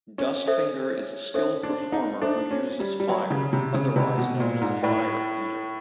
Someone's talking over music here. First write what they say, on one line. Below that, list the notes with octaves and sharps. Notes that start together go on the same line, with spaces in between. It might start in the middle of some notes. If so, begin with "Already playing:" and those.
Dustfinger is a skilled performer who uses fire, otherwise known as a fire-eater.
C#4
A4 C5 E5
C#4 A4 C5 E5
D4
D#4
D4 A4 C5 E5
C#4
G3
G3
F#3 B4 D5 G5 B5
C#3
C3
C#3
C3 B4 D5 G5 B5
B2
A#2
G#2
A2 B4 D5 G5 B5